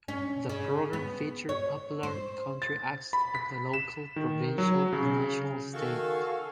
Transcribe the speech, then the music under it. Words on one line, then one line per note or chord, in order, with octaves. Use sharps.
The program featured popular country acts of the local, provincial and national stage.
C#4
C#3
B3
C#5
C5
A6
B5
B6
E7
D#3
F#3
C#3
D#3 F#4 A4 F5 G#5 A5 C#6